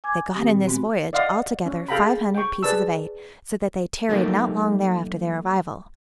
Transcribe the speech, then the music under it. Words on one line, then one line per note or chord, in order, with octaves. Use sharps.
They got in this voyage, all together, five hundred pieces of eight; so that they tarried not long there after their arrival.
G#5 D6 G#6
D#3 C4 G4 D#6 A#6
A#2 G3
G#3 B3 C4 F#4
D5 D#5 F5 F#5 C6 D#6
C#4
G#4 A4 F5 G5 A#5 B5
G5 C#6
G#4 B4 D5 A5 E6
F#3 A3 A#3 D#4 G4